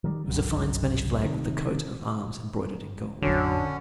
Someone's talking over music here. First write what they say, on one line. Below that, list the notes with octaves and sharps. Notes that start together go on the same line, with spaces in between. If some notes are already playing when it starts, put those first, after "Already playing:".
It was a fine Spanish flag with the coat of arms embroidered in gold.
D#3 F#3 G3
G1 C2 F#2
C3 D#3
A1 F2 D3 F#3 C#4